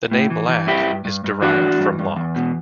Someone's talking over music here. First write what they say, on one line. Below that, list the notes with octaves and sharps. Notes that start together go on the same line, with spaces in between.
The name 'Lack' is derived from 'Lock'.
A2
E3
E3
G2 E4 G4
G2
G2
G2
E3 D4 F#4
E3
G2
G2
E2
B2